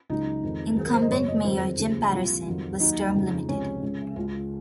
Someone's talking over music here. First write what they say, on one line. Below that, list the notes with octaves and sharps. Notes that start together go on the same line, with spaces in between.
Incumbent mayor Jim Patterson was term limited.
C#2 C#3 F#3 D#4
F2 D#3 G#3
G#2 D#3 F#3 G#4
A#4
C5
D#5
F#2 C#3 G#3 C#5
D#5
F2 D#3 G#3 C5
D#2 C#3 F3 G#3
C2 A#2 F3 F4
F2 D#3 F#3
D#2 D#3 F#3 D#4
F2 C#3 F3 G#3
C#2 C3 F3 G#3 C#4
C#2 C#3 G#3
C#2 C#3 G#3 F4